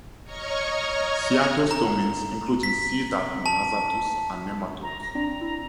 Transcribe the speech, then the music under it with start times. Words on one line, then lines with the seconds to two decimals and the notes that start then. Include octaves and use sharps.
Cyathostomins, including "C. nassatus," are nematodes.
0.24 C#5 D#5 A#5 C#6 F6 G#6
1.71 A#5
2.63 B6
3.46 A5
4.83 A#5
5.02 A#6
5.15 C4 D4 D5 A#5
5.41 E4